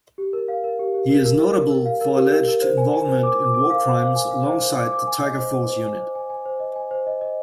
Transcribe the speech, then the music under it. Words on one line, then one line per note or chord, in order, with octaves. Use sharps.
He is notable for alleged involvement in warcrimes alongside the Tiger Force unit.
G4
A#4
F5
A#4
G4
G4
A#4
A#4
A#4
A#4
A#4
F5
A#4
G4
A#4
A#4
C5
G#5
G#5
C5
D6
D6
D6
F5
C5
F5
G#5
F5
C5
C5
D6
D6
G#5
D#5
C5
C5
C5
G#5
C5
G#5
G#5
C5
D#5
G#5
C5
D#5
D#5